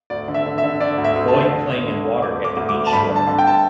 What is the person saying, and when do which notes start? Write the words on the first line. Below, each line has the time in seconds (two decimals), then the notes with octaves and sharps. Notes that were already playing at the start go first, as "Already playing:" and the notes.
Boy playing in water at the beach shore.
0.10 D2 D5
0.28 D3
0.34 E5
0.46 D3
0.58 E5
0.64 D3
0.80 D3 D5
0.98 D2
1.04 E5
1.16 D2
1.28 A5
1.34 D3
1.52 D3
1.69 D3
1.86 D3
2.05 D2
2.22 D2 D6
2.39 D2
2.45 D6
2.56 D2
2.69 D6
2.74 D2
2.87 A5
2.92 G2 B5
3.09 D3
3.16 A5
3.27 D3
3.39 G5
3.47 A5